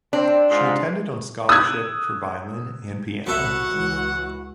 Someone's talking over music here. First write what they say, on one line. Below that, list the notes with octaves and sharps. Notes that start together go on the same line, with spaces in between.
She attended on scholarship for violin and piano.
C4 D4
G#2 F4
D#6 E6 F#6 G#6
C2 B3 F#4 A4 E5 F#5
C#2 E3